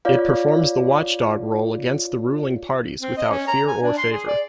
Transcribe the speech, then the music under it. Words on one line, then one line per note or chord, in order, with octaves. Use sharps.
It performs the watchdog role against the ruling parties without fear or favor.
F4 C#5 D5 F5
C4
D#5
C#4
A#5
G#5
D4
C6
G#4
D5